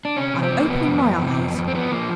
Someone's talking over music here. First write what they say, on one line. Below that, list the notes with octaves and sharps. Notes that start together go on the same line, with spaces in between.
I am opening my eyes.
D4
C3 C#4
C3
C4
F3
A#3
C3 B3
F2
F2
C3
F2
F2
C4
F3 B3
F3 A#3